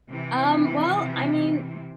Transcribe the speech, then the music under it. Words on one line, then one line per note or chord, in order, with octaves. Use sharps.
Um, well, I mean,
C3 E3